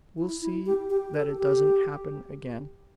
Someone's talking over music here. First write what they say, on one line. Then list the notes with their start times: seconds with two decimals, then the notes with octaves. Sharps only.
"We'll see that it doesn't happen again."
0.18 E4
0.42 E4
0.66 G4
0.90 G4
1.14 A4
1.37 G4